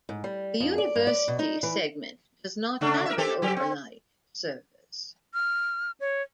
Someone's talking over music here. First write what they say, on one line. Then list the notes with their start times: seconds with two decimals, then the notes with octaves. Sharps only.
The University segment does not have an overnight service.
0.09 G#2
0.24 G3
0.60 F2
0.78 D5
0.96 G2
1.07 D5
1.28 B2
1.39 D#4
1.63 E3
2.81 C#3 A3 D4
3.06 A#4 E5
3.18 C4 G4 A4
3.42 F#3 G4
3.57 C4
5.34 F6
6.00 C#5